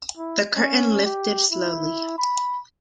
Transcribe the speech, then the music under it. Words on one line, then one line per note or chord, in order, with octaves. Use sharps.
The curtain lifted slowly.
E4
C#4
G4
E4
B5